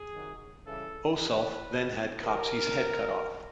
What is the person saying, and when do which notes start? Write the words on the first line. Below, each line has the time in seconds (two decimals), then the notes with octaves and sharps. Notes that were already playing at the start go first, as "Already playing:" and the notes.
Osulf then had Copsi's head cut off.
Already playing: G#4
0.13 C3 D#3 F#3
0.65 C#3 E3 G3 A4
1.17 C#3 F3 B4
1.70 C#3 F3
2.22 A2 E3 G3 A#4
2.74 A2 F#3